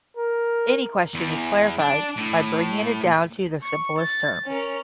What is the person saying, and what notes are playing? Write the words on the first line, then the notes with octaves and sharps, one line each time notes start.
Any question is clarified by bringing it down to the simplest terms.
A#4
E2
D4
A2
C#6
A6
C#4 A#4